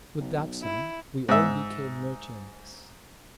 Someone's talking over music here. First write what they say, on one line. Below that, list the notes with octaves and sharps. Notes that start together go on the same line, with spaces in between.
With that sum, we all became merchants.
B1
E4
G#2 E5